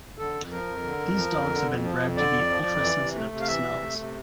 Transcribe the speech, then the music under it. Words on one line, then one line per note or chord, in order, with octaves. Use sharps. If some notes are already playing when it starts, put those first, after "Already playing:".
These dogs have been bred to be ultra sensitive to smells.
D3 A4
F2
F3 A#4
F2
D3
F2
F3
F2
D3
F2
F3
F2
D3 D5
F2
F3
F2
E3
C3
A3
C3
F5
E3 E5
C3
A3
C3